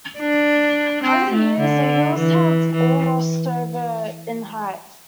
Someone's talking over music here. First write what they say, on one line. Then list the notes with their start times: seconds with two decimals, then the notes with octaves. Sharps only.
Over the years, the Hills have all lost over in height.
0.18 D4
1.03 C4
1.32 A3
1.59 D3
2.16 E3
2.72 E3